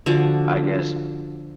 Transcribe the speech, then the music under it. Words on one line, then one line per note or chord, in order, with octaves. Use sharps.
I guess,
D3 F3 F#4 D5